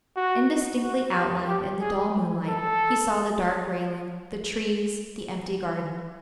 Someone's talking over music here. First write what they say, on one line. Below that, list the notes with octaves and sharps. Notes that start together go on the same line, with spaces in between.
Indistinctly outlined in the dull moonlight he saw the dark railing, the trees, the empty garden.
F#4
F#4
G4
G4
G#4
A4